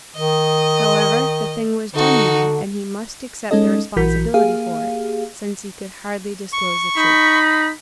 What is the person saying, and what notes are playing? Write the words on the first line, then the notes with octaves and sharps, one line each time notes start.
However, the thing was done now, and he must accept the responsibility for it, since he could hardly disclose the truth.
D#3 D#5
D3 D#4 F#4
G#3 C#4 D#4 A4 D#5
A#1 E3 F#4 A#4 G6 B6
A#3 G4 G#4 F5
C#6
D#4 B5